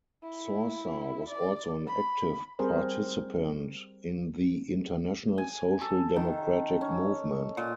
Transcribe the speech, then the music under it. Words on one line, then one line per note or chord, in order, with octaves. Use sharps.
Sorsa was also an active participant in the international social democratic movement.
E4
D5
B5
G3 C4 G#4 A#4 C5
G#5
A4
D#3
C#4
A#2